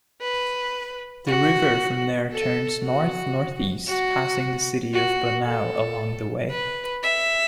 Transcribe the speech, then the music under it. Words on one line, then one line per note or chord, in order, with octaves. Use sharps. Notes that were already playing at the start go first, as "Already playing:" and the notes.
The river from there turns north-northeast passing the city of Bonao along the way.
B4
F#4
A4
F#4
F#4
F#4
A4
B4
E5